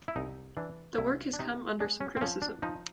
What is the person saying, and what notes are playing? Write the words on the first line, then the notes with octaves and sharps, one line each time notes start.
The work has come under some criticism.
E4
C2 D#4
E3 D4
C2 E4
D4
C3 D#4
G#3 D4
C#4
C4
F3 C#4
D4
F3 D#4